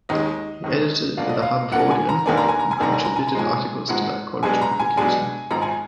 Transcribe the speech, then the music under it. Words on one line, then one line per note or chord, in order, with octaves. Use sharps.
He edited "The Haverfordian" and contributed articles to that college publication.
D#2 D#3 G#3 D#5
D#2 D#3 G#3
D2 D3 F3 A#3 D4 F5
D#5
F5
D2 D3 F3 A#3 D4 F#5
G#5
A#5
F1 D#2 D#3 A#3 D4 G#5
A#5
G#5
A#5
G#5
F1 D#2 D#3 A#3 D4 A#5
G#5
A#5
G#5
A#5
G#1 G#2 F3 G#3 G#5
G#1 G#2 F3 G#3 F#5
B1 B2 G#3 D4 G#5
A#5
G#5
B1 B2 G#3 D4 G#5
G#1 G#2 F3 A#5
G#5